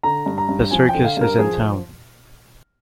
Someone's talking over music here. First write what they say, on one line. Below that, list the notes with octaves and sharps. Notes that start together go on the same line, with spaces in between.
The circus is in town!.
D3 A#5
G2
A#5
G2
F3 G#5
G5
D3
F5
G2 A#4
F3 G#4